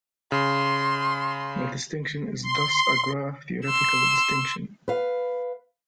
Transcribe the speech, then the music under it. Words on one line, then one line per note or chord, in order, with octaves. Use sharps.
The distinction is thus a graph-theoretical distinction.
C#3 C6
C6
C6 E6
B4 F5